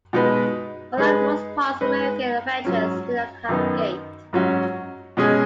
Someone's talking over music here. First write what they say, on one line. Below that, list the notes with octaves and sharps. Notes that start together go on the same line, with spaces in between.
Unlike most parks, American Adventures did not have a gate.
B2 G#3 D#4 B4
G#3 D#4 G#4 B4
G#3 D#4 B4 D#5
G#2 F#3 C#4
F#2 D#3 B3 D#4
G#2 F#3 C#4 F#4
B2 G#3 C#4 G#4 D#5